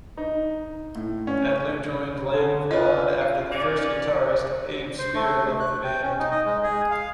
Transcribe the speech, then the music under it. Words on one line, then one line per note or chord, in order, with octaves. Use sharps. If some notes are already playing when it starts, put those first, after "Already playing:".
Adler joined Lamb of God after the first guitarist, Abe Spear, left the band.
D#4
A2
C#4
D3
F4 B4 D#5
F5
C#4 D5
C5
A3
F#6
G5
C#4
D#4
D#5
G#3
G#4
F5